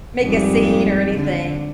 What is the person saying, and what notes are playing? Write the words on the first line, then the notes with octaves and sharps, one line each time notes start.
Make a scene or anything.
F2 G#2 G3
D3